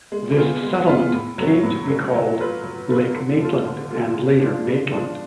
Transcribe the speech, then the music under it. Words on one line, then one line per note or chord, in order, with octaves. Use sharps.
This settlement came to be called Lake Maitland, and later Maitland.
G#3
B3 F4 G#4
G#3
B3 F4 G#4
A2
F#3 A3 C#4
A2
F#3 A3 C#4
F#3
A3 F4 B4
F#3
A3 F4 B4
D3
F3 A3 F4
D3
F3 A3 F4
C#3
F3 G#3 D4
C#3
F3 G#3 D4